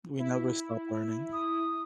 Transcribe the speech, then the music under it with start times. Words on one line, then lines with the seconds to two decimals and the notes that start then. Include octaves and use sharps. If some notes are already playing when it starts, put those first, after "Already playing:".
We never stop learning.
0.20 E4
1.33 D#6